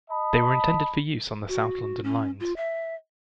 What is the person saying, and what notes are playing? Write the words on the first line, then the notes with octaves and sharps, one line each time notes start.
They were intended for use on the South London lines.
D#5 A5 B5
F#4
C#4
F4
E5